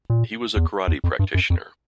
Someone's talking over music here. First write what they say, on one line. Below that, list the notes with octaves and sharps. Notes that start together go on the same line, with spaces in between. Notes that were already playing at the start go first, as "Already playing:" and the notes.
He was a karate practitioner.
A#2
E2
E2
F2
G2
F#2
F2